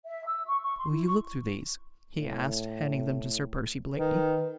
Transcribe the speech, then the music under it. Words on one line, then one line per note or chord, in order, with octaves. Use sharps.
"Will you look through these?" he asked, handing them to Sir Percy Blakeney.
E5
E6
C#6
C#6
C6
E4
C#6
A2
D#3 B4